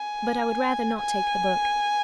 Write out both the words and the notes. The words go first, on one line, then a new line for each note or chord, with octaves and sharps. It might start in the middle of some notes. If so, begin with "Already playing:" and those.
But I would rather not take the book.
Already playing: G#5
G#5